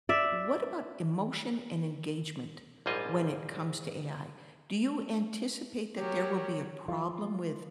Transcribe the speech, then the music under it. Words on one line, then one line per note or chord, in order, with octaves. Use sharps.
What about emotion and engagement, when it comes to AI, do you anticipate that there will be a problem with
D5 E5
A#1 G#2 G3 F4 D#5 G#5
F#3 G4 A#4 C#5
F3 F4